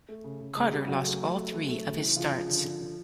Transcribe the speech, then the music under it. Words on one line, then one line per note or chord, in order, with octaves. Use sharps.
Carter lost all three of his starts.
A3
C#3
C#3
C#3 G#3 G#4
C#3 G3 G4
C#3 F#3 F#4
A3
A3
A3
A3
A3
C#3
E3
C#3 F3 F4
C#3 F3 F4
D3
D3
D3